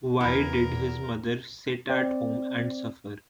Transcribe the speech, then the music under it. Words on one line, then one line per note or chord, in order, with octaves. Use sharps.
Why did his mother sit at home and suffer?
E2 E4 A#4 G#5
C4 D5